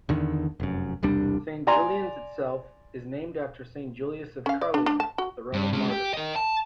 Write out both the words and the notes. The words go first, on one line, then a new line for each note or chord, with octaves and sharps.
Saint Julian's itself is named after Saint Julius of Caerleon, the Roman martyr.
E2 D3 D#3
F1 F#2
E1 C2 G3 D4
D5 G#5 A#5 C6
C#4 F5
D5
D4
D4
A5
F#4
G2
G#3 C#4
G4
A#4 D#5
A5